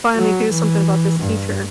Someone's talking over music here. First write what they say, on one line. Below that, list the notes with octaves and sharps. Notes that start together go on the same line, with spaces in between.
finally do something about this teacher.
F#3
E3
G2